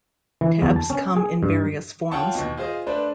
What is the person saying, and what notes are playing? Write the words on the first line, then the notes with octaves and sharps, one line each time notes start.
Tabs come in various forms.
E3
E2
A5
C#4
G#4
G2
F4 C#5 F#5 G5 A5 C#6
D#2 B2
F4 G#4 C5 D#5
A3 D4 B4 C5 D5